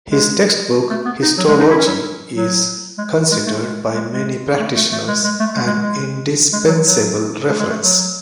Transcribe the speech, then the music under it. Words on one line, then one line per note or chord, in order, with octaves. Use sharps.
His textbook "Histology" is considered by many practitioners an indispensable reference.
G#3
A3
B3
D#4
F#3
G#3
D#4
E4
C#4
F#3
F#3
G#3
G#3
A3
G#3
G#3
G#3
A3
A3
A3
G#3
G#3
A3
G#3
G#3
G#3
G#3
F#3
F#3
G#3
G#3
A3
F#3